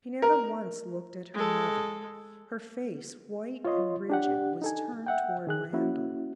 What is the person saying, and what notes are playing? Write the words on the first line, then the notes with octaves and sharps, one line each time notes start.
She never once looked at her mother; her face, white and rigid, was turned toward Randal.
A#4
G#3 A4
F4 C#5 D#5 C6
D4 G4 F#5
D#4 A4 G#5
E5 F#5 G5
D#3 G#4 F#6
A#3 C#4 E4 F#4